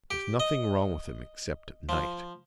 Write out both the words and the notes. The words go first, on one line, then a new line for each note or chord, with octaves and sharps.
There's nothing wrong with him except at night.
G4
D#5
F3